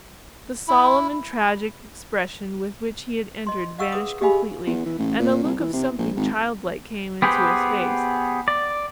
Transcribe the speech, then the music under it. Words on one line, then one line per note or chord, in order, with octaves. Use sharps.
The solemn and tragic expression with which he had entered vanished completely, and a look of something childlike came into his face.
E4
D#5 C6
D#5 F5 F#5 C#6 E6
G#4 B4 D6 D#6
G4 G#4 D#5 F5 G#5 B5
E2
E3
A1
A#2
C2
E3
C3
A#1
G#1
B3 G4 G#4 B4 C5
D5